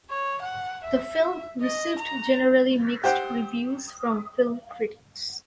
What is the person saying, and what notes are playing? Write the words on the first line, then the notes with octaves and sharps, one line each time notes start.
The film received generally mixed reviews from film critics.
C#5
F#5
E5
D#5
A#5
G4 C5 F#5 G5